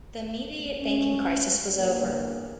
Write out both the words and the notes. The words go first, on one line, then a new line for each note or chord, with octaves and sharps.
The immediate banking crisis was over.
C#4
E2 G2 G3 A#3